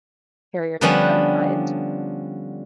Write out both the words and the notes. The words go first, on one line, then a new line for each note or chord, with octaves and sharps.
carriers of some kind.
D3 F3 G3 B3 C#4 D4